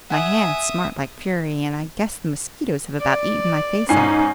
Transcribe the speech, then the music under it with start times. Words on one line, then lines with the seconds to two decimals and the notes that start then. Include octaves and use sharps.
My hands smart like fury, and I guess the mosquitoes have about eaten my face up.
0.10 E5 F#5 G#5 D#6
3.00 D5
3.89 G#2 C#4 D#4 G#5 C7